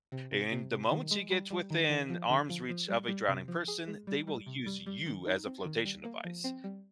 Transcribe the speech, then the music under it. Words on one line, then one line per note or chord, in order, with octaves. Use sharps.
i in the moment she gets within arm's reach of a drowning person, they will use you as a flotation device,
C3
C3
C3
C3
D#3
G#3
G3
G3
D#3
D#3
F3
D3
F3
F3
G3
G3
C3
F3
G#4
G#3
G3
G3
C3
G3
G3
D#3
D#4
C4
D#3
G3
A#3
F3
C4
G3